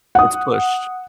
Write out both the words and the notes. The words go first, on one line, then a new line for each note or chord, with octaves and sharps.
It's pushed.
F#5 D#6